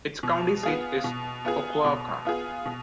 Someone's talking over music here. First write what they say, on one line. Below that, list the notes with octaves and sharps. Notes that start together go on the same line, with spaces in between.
Its county seat is Oquawka.
B2
B3 F4 G#4
B2
B3 F4 G#4
B2
B3 F4 G#4
B2